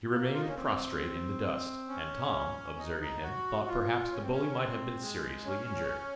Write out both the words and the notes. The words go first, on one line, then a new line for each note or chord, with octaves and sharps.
He remained prostrate in the dust, and Tom, observing him, thought perhaps the bully might have been seriously injured.
A#3
F4
D#4
C#4
C4
C#4
D#4
D#4
F#4
F4
C#4
C4
C#4
C4
G#3
C#4